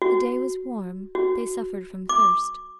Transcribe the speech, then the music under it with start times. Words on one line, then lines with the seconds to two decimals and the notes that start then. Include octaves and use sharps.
The day was warm; they suffered from thirst.
0.02 F#4
1.15 F#4
2.09 D6